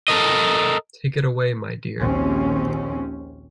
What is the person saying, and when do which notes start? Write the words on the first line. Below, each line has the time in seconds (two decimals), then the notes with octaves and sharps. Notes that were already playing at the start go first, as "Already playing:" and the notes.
Take it away, my dear.
0.08 A4 A#4 D#5
1.98 A#1 D#2 C4 C#4